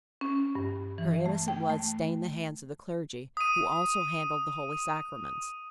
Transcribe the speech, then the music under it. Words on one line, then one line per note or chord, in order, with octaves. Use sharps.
Her innocent blood stained the hands of the clergy, who also handle the Holy Sacraments.
C#4
G2
E3
A3
G5
A3
D#6 D#7